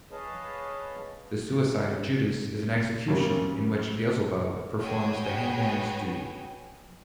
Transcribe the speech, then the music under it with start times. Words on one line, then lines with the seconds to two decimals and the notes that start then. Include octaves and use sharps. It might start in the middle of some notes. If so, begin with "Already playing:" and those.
The suicide of Judas is an execution, in which Beelzebub performs the hangman's duty.
0.11 G#4 B4 C#5 D#5 F5 A5
3.08 F#2 C#3 G3 A#3
4.80 F#4 G#4 B4 C#5 G5 G#5